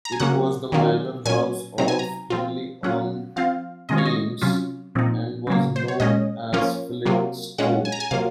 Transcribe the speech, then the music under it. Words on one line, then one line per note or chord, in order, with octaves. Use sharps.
It was the manor house of Henley-on-Thames and was known as "Fillets Court".
A#5
G#5
C#3 F#3 A#3 C#4 F#5
D#3 F#3 A#3 C#4 F4
A#2 F#3 C#4 G#5
C3 F#3 C4 D#4 A#5
G#5
A#5
F3 C4 F4
F#3 C#4 F4 F#5
F3 C4 F4 F5
C3 D#3 G#3 C#4 F4 D#5
C#5
D#5
C3 F#3 C#4 F4
A#2 F3 C4 D#4
C#3 F#3 A#3
C5
C#5
A#2 G#3 C#4 D#5
F3 A#3 C#4 F4
C3 F#3 A#3 F4
A#2 G#3 C#4 F4 F#5
G#5
A#5
G#5
C3 F#3 A#3 F4 F5